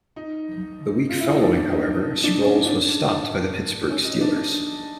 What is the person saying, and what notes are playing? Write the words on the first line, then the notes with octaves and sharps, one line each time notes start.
The week following however, Sproles was stopped by the Pittsburgh Steelers.
D#4
F4
E4
D#4
D4
D4
D#4
D4
C#4
D4
C#4
D#4
D4
D4